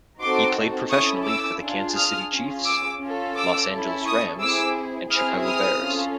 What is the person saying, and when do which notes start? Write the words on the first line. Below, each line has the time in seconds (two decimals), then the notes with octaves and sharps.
He played professionally for the Kansas City Chiefs, Los Angeles Rams and Chicago Bears.
0.21 C4 D#4 F#4 A4 C6 D6
0.90 C#4 E4 A4 C#6 D#6
1.26 D6 E6
1.61 D4 F4 G#4
1.95 D#6 F6
2.31 C#4 F4 G#4
2.65 D6 E6
3.01 C#4 F4 A4
3.36 D6 E6
3.71 C#4 E4 A4
4.06 C#6 D#6
4.40 C4 E4 G#4 D6 E6
5.11 C4 E4 G#4 D#6 F6
5.45 D#6 F6
5.81 C#4 F4 A4